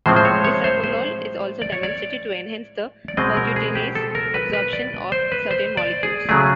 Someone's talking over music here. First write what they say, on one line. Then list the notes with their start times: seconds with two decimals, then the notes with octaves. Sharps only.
Bisabolol is also demonstrated to enhance the percutaneous absorption of certain molecules.
0.06 A2 F3 G#3 C4 C5
0.16 C5
0.25 C#5
0.44 C#5
0.64 C5
0.84 C5
1.62 D5
1.72 C#5
1.83 D5
3.08 D5
3.17 B2 G#3 C4 D#5
3.37 A#4
3.56 G#4
3.75 G4
3.95 A4
4.15 A#4
4.34 B4
4.53 B4
4.73 D5
5.12 C5
5.32 B4
5.51 C5
5.77 D5
6.03 G#4
6.29 C#3 F#3 A3 G#4